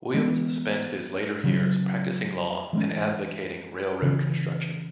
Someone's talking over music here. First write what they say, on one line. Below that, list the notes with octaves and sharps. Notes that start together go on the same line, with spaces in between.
Williams spent his later years practicing law and advocating railroad construction.
E3 G#3 B3
C#3 F#3 C#4
E3 G#3 C#4
C#3 E3 C#4